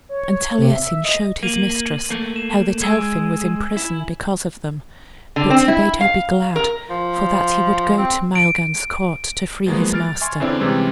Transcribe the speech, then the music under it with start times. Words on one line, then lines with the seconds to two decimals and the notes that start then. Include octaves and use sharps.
And Taliesin showed his mistress how that Elphin was in prison because of them; but he bade her be glad, for that he would go to Maelgan's court to free his master.
0.09 C#5
0.59 C3
0.71 E5
1.05 D#5
1.43 A#3 D#7 F7 F#7
2.10 A3 A#3
2.36 E7
2.82 G#3 G#5 E6 G#6
3.77 E4
5.36 D3
5.50 C4
5.68 E4
6.01 F5
6.56 A#4
6.90 F3
7.98 C4
8.35 D7
9.66 F3 F#3 G#3 A#3 B3
9.93 F6 A6 D7
10.21 E5 G#5 C6 C#6
10.40 E2 D3 C4 C#4 E4 D5
10.59 C3 E3 G3 G#3 C4 C#4